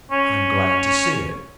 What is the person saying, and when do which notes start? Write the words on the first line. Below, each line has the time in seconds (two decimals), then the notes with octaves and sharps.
"I'm glad to see it."
0.11 C#4